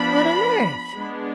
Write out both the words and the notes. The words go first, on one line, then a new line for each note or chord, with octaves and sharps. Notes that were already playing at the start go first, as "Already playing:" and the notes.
"What on earth?"
Already playing: F3 B3 D4 B5
G#3 B3 D4